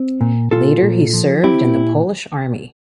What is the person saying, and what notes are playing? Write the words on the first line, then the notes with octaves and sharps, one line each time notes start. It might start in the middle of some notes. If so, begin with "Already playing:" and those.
Later he served in the Polish Army.
Already playing: C4
A#2
A#2 F4 A4
A#2
F3
C4 E4 G4
A#2